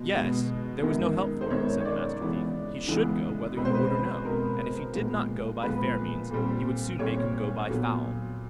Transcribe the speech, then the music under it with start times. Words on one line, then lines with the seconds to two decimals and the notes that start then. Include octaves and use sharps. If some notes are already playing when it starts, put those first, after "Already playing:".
Yes, there was no help for it, said the Master Thief; he should go whether he would or no; and if he did not go by fair means, he would soon make him go by foul.
Already playing: B2 G#3
0.13 B2 G#3 B3
0.81 F#2 D#3 G#3 B3
1.41 C5
1.50 F#2 D#3 G#3 B3 C#5
1.80 C#5
1.85 D5
2.20 C#3 E3 G#3 B3
2.87 C#3 E3 G#3 B3
3.56 B2 G#3 C4 B4
3.65 C5
3.75 B4
4.25 B2 G#3 C4 A#4
4.93 A#2 F3 G#3 B3
5.62 A#2 F3 G#3 B3 B4
6.31 A#2 G3 C4
6.99 A#2 G3 C4 C#5
7.68 A#2 F#3 B3